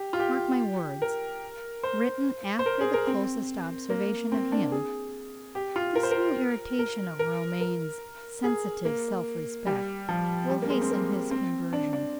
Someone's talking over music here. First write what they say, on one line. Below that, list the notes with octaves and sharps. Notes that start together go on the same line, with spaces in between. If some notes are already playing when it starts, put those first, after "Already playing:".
Mark my words, written after the closest observation of him--this new irritation of Romayne's sensitive self-respect will hasten his conversion.
Already playing: G4
F4
G4
A#4
C5
C5
A#4
G#4
A#4
C4
A#3
C4
D4
G#4
G4
F4
A#4
C5
A#4
A#4
A#4
A#4
G#4
A#3
G3
F3
G3
A#3
G#3
C4
A#3
C4
D4
D4